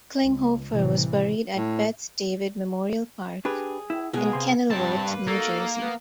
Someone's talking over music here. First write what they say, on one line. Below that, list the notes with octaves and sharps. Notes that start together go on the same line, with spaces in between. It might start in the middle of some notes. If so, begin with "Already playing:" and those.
Klinghoffer was buried at Beth David Memorial Park in Kenilworth, New Jersey.
C#2
A1 C3 E3 F3
A2
D4 G4 G#4 B4
E4
B2 G#3 B3 G#4 A#4
C3 C6
G2 C3 C4 A5
A#3 B4
A#3 D#4 F#4 A4
B3